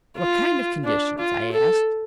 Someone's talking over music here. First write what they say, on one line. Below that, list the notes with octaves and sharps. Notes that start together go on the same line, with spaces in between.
"What kind of conditions?" I asked.
F4
D4
F4
A4